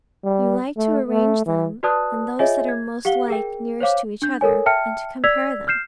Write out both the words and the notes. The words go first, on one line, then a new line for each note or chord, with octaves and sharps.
You like to arrange them, and those that are most like nearest to each other, and to compare them.
G3
A3
A3
E3
F#4 B4 D5 A5 D#6 F#6
F4 G#4 C#5 D#5 E5 G#5
G#6
G4 F5 F#5 G7
G#4 A#4 G5
C5 C#5 F5 D6
D4 G6
A4 A#4 C#5 G#5
E5 G5 A5 F6 C#7
D5 E6 G#6 B6 F7
F6 G6 C7 E7